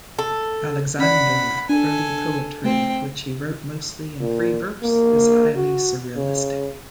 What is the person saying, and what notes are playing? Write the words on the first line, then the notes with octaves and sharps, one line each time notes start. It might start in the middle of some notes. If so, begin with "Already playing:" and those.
Aleixandre's early poetry, which he wrote mostly in free verse, is highly surrealistic.
A4
C#4 D5 F#5 B5
D4 A4 G#5
A3 C4 G5
A#2
A#3
F#4
C#3